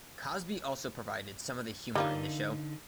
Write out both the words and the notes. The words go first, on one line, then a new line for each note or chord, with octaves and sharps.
Cosby also provided some of the humor in the show.
D3 G3 A#3 D#4 F4